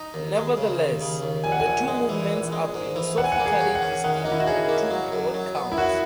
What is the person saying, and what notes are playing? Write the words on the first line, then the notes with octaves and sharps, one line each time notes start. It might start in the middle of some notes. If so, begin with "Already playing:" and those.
Nevertheless, the two movements are philosophically distinct on two broad counts.
Already playing: D#4
D#2
G#3
C#3
D#2
C#3
D#2
A#1 G#5
F#5
G#5
A#1
G#3
E3
A#1
G#3
G#2
E3
E2 F#5
G#5
F#5
A#3
G#4
C#4
F#5
C#4
D#3 F#5
A#3 D#4
E4
F#4
C#4 G#4
A#3
F#3
F#2
F#3
B3
E4
F#2 F#4